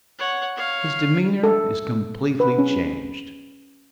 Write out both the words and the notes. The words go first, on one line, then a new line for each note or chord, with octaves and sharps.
His demeanour is completely changed.
C#5 F#5
C#5 F5
A4
B4
C#4